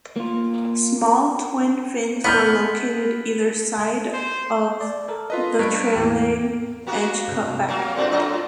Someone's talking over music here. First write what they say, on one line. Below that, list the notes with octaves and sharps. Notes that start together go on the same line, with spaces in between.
Small twin fins were located either side of the trailing edge cutback.
A#3 F4
B3 B5 F6 G6
C5
D5
A4 A#4
F4 B4 D#5
G2 G#6 D7
E2 A2 A#3 G5
A#3 B3 F#4
G2 C3
F#3 A#3 A#4 F5
A2 C4 D4 F4 F#4 A4
A2 F#3 D#5